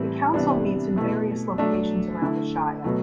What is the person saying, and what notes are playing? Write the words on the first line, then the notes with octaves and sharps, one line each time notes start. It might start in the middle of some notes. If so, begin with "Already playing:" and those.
The council meets in various locations around the Shire.
Already playing: A2 E3 G3 C4 E4
C3 E3 G3 B3 D4
B2 A3 E4
F#3 A3 D4
D3 A3 E4
B2 F#3 A3